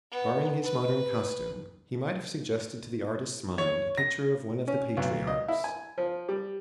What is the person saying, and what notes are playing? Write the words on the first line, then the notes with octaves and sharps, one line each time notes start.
Barring his modern costume, he might have suggested to the artist's mind a picture of one of the Patriarchs.
B3
B4
C#5
A#6
C#4
B1
D#5
E4
G#5
F3
G3